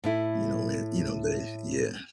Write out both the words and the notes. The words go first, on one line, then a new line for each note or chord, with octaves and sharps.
You know, it you know, they yeah.
A2 A3 E4